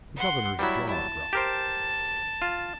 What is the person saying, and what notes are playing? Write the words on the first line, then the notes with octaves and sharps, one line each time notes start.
The governor's jaw dropped.
F#5 C6
F#3 G3 E4
A5
G4 A#4 C5
F4